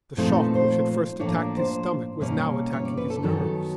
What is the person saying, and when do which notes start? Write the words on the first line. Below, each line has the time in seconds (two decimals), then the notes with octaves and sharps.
The shock which had first attacked his stomach was now attacking his nerves.
0.17 A#2 F3 A3 C4 D#4 G#4
0.30 A4
0.43 B4
0.55 C5
1.19 A2 F3 A#3 D4 C#5
1.32 D5
1.57 C5
2.21 B2 G3 A#3 C#4
2.73 C#5
2.85 D5
2.97 B4
3.10 A4
3.22 F#2 D#3 F#3 B3 A4